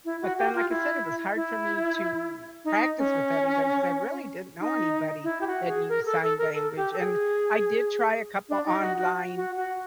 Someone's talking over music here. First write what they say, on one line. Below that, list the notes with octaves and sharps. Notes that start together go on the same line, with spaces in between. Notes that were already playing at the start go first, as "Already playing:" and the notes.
but then, like I said, it was hard for me to practice with anybody 'cause I really didn't know anybody that knew sign language, and I did try a couple online
E4
F#4
G4
F4
E4
E4
D#4
C#4
D#4
E4
G4
F#4
G#4
A#4
A4
A4
A#4
A4
G4
A4
G#4
D4
D#4
F#4
F#4
F#4
F#4